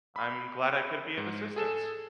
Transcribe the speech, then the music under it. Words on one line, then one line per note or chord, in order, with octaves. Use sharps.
I'm glad I could be of assistance.
B5
G#2
G#4 A4 E7